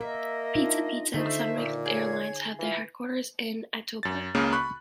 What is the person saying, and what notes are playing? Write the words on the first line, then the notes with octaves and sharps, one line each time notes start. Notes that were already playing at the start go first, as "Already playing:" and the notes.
Pizza Pizza and Sunwing Airlines have their headquarters in Etobicoke.
A#3 A#4 D#5 E5
D4 D#4 F4
D3 A3 D#4 C5 D#5 E5
A#2
G#4 C#5 G#6
E3 F4 E5 G#5
F#2 A6
C#2 C#3 A#3 A#4
B5 C#6 F#6